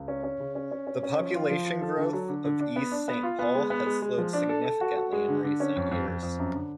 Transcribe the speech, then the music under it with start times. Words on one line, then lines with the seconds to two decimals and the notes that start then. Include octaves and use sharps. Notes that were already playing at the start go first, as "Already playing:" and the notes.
The population growth of East Saint Paul has slowed significantly in recent years.
Already playing: C#2
0.08 C#4
0.23 C#4
0.40 C#3
0.55 C#4
0.71 C#4
0.87 C#4
1.03 C#4
1.19 F3
1.34 F4
1.50 F3
1.66 F4
1.81 A4
1.97 D3
2.13 F#3
2.28 D3
2.44 D3
2.60 D4
2.76 B3
2.91 D4
3.08 B3
3.23 F4
3.39 B3
3.55 G#3
3.70 B3
3.86 G#3
4.02 G#3
4.18 F3
4.33 D4
4.49 A4
4.65 A4
4.81 F#4
4.97 F#4
5.12 G#3
5.28 D3
5.44 D3
5.60 C#4
5.76 F2
5.91 F2
6.06 F2
6.23 F2
6.39 F#2
6.54 D3